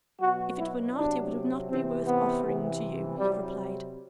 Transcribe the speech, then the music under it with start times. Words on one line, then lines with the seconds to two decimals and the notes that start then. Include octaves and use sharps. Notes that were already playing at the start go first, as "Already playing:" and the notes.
"If it were not it would not be worth offering to you," he replied.
0.21 B2 F#3 F#4
0.58 E4
0.95 C3 F#3 D4
1.69 C3 E3 C4
2.07 B3
2.44 C3 E3
3.18 C3 F#3 G3